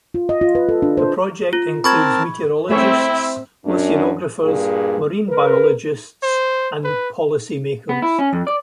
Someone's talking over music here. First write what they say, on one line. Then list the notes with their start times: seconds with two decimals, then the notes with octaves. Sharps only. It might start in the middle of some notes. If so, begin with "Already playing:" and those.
The project includes meteorologists, oceanographers, marine biologists, and policy-makers.
0.14 F4
0.29 D#5
0.41 F4
0.55 B4
0.69 A4
0.82 D4
0.97 C5
1.53 F4
1.84 C4 A#4 A5 B5 C#6 G#6
2.70 A3 C4 E4 G#4 C#5 E5
3.65 F#2 D4
4.43 G2 A#2 G#4
5.29 A#4 B4
6.23 C5
6.84 B4
7.89 B3
8.02 E4
8.19 C#4
8.33 F2
8.47 D5